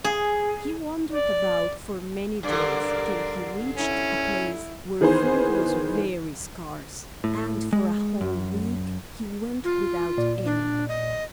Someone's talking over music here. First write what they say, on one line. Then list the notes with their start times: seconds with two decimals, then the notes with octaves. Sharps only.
He wandered about for many days, till he reached a place where food was very scarce, and for a whole week he went without any.
0.04 G#4
1.11 D5
2.43 G2 D3 A#4 D5
3.78 C#4 E4
5.01 D#3 E3 B3 G#4 B4 C5
7.24 A2
7.73 G#3
8.21 F#2
9.64 F4
10.18 A#2 D5
10.45 D4
10.88 D#5